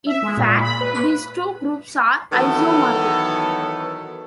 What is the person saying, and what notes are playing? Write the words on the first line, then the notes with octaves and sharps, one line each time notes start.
In fact, these two groups are isomorphic.
E5
G#3
A#2
B5
B4
D#3 E3 F#3 B3 A4 C#5